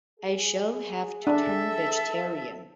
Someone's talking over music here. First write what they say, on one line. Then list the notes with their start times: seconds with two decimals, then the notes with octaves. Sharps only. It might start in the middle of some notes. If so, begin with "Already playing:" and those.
I shall have to turn vegetarian.
0.20 G#4
1.27 D4 A4 E5